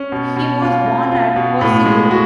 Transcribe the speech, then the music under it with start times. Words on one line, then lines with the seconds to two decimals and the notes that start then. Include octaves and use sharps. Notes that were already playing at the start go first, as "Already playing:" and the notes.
He was born at Corsico.
Already playing: C#4
0.12 B2
0.36 B2
0.62 F4
0.86 B2
1.12 F4
1.36 B2
1.61 A2
1.86 G#3
2.11 F#4